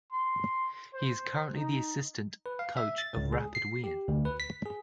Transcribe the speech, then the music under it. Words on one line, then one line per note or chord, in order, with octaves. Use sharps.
He is currently the assistant coach of Rapid Wien.
C6
C5
D#4
B4
F5
E5
A6
C#2
G#4
C7
G4
D2
B4
B6
G#4